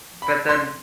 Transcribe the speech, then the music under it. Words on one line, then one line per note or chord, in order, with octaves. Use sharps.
But, then
B5
C6